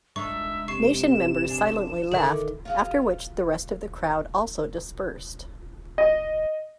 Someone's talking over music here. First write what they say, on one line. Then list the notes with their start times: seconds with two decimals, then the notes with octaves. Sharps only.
Nation members silently left, after which the rest of the crowd also dispersed.
0.16 G#3 D4 D#4 E5 C#6
0.68 C3 C#6 C7 E7
1.48 D4 G#4
2.12 D3 D#3 G#4 E5
2.65 F4 F#4 G#4
5.98 D#5